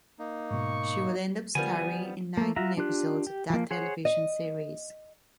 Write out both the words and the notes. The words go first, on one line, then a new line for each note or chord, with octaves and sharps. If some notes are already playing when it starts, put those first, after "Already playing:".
She would end up starring in nineteen episodes of that television series.
A#3 D#4
G#2 B2 C#6
D3 F3 G3 B3 A#4 G#5
A3 A#3
F4 F#4 E5 A#5
D4 F4 G4 F#6
G4
F3 A#3
G#4 C5 C#5 F#5
D#5